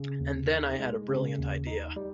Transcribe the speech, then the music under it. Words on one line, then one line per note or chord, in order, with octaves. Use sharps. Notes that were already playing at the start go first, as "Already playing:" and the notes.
And then I had a brilliant idea.
Already playing: C#3
D#2
D#4
G#3
C#3
D#2
D#4
G3